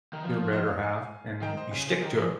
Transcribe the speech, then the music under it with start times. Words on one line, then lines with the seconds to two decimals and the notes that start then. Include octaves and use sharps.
your better half, and you stick to it.
0.13 D#3
0.23 F3
0.52 C5 D#5
0.67 C#5 F5
0.82 F5 G#5
1.42 D#3 D#5 G5
1.57 C5 D#5
1.73 C#3
1.87 G#4 C5
2.02 D#3 G4 A#4
2.17 F3 G#4